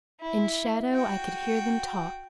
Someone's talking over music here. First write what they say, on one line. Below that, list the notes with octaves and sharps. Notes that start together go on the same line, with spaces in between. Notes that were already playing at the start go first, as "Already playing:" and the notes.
In shadow, I could hear them talk.
E4
F#4 G5